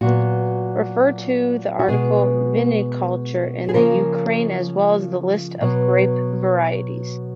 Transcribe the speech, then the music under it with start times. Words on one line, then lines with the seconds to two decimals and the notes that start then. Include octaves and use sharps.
Refer to the article viniculture in the Ukraine as well as the list of grape varieties.
0.01 A#2 F#3 B3 F#4
1.79 F#4
1.88 B2 G#3 B3 G#4
3.69 G#4
3.74 C#3 F3 A#3 A#4
5.61 B2 F#3 B3